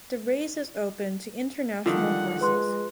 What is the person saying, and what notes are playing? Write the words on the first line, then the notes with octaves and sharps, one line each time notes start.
The race is open to international horses.
D3 D#3 F3 G3 F#5
G#3 B4 C6 F#6